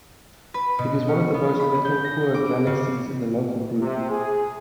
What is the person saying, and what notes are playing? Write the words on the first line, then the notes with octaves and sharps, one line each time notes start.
It is one of the most metal-poor galaxies in the Local group.
B4
B2
C#4
B3
B5
G6
A#6
D6
C#3
C3
G#4